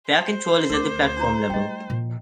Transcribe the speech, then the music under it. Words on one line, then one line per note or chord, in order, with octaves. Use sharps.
Fare control is at the platform level.
C5
D2 A#4 D6
D4 E4 A#5
G3 A3 D#5 G5
A#2 F3